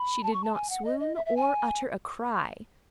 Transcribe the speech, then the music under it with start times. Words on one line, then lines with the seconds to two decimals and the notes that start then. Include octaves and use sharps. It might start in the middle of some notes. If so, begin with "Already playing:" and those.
She did not swoon or utter a cry.
Already playing: B5
0.23 A5
0.33 C#6
0.44 A5
0.54 G#5
0.70 F#5
0.85 D#5
1.00 D#5
1.15 E5
1.26 E5
1.36 G#5